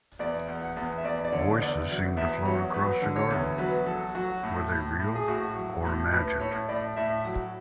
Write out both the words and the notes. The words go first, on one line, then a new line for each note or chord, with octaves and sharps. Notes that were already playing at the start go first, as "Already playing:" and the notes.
Voices seemed to float across the garden, were they real or imagined?
E2 D5
E2
F#5
E2
E5
E2 D5
D5
D3 C#5
E2 D5
F#3
E2 E5
F#3 C#5
F#3 B4
D3
C#5
E2
F#3 B4
F#3 A4
F#3 F#4
A2
A2
A2
G#4
A2 F#4
F#3
A2
A2 B4
A2 C#5
A2 D5
A2 E5
F#3